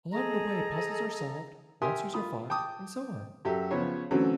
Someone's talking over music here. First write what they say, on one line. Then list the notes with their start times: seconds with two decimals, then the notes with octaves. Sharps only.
Along the way puzzles are solved, monsters are fought, and so on.
0.12 G#4 A4 D#5 A#5
1.82 G4 A#4 E5 G#5 C6 D#6
2.14 F4 B5 D#6
2.50 G5 A5 D6 D#6
3.45 F#2 G4 A4 E5
3.71 C#3 F3 B3 C5 C#5
4.11 D3 E3 F#3 A3 C4 C#4